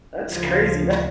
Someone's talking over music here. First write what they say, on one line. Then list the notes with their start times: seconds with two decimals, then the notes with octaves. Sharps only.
that's crazy. That
0.25 D2 C#3 F3